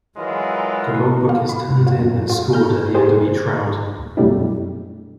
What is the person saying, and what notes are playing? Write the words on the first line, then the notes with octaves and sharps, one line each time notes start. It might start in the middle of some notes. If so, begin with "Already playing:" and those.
The logbook is turned in and scored at the end of each round.
E3 F#3 G#3 F4 A#4 B4
F5
B5
G#2
F4
F#2
F4
A#5 F6 G6
G4 G#4 C5
F#2 B2 G3 A3 D4 E4